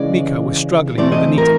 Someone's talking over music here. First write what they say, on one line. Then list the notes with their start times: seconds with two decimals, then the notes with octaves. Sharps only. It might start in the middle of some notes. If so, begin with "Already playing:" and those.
Miko was struggling with Anita.
Already playing: C#3 E3 G#3 C#4 D5
0.98 E3 A3 C4 D5
1.12 D#5
1.38 A#4